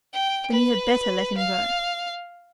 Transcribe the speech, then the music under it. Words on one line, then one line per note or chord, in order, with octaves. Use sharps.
"Then you had better let him go."
G5
B4
F5